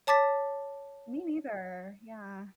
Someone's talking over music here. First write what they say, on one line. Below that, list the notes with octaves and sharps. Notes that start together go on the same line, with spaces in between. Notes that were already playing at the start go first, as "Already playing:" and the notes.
Me neither, yeah.
C#5 A5 D6 A6 B6